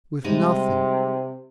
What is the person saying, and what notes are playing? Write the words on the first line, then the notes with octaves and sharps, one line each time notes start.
"With nothing."
C3 G3 G#3 D#4